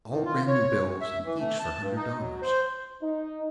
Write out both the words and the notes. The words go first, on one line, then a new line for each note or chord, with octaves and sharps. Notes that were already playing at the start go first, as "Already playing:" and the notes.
"All brand new bills and each for a hundred dollars."
E2
F4
C#5
E5
E3
A3
A5
G2
D#4
F#3
C5
D#4